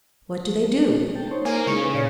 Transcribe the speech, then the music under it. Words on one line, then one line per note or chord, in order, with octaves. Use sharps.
"What do they do?"
G5 A5
D#4 C5 C#5
A#3 G#5
C#3 G#3 D#4 E4 C#6
A4 B4
A#2 C#5 D5 F5